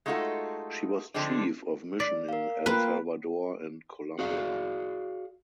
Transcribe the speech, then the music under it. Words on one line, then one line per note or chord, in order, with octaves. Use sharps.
She was Chief of Mission in El Salvador and Colombia.
G#3 A3 D#4 F4 F#4 A4
D3 F3 G#3 C4 D4
D5
A#4 F5
A#3 F4 B4 G5
F#4 G#4 D5 F5